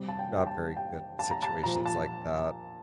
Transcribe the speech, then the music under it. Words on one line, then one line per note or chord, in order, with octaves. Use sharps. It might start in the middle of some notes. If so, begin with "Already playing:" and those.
not very good at situations like that
Already playing: C3 G3
A5
G5
G5
A5
G5
A5
A#5
A5
A#2 F3 A#5
A5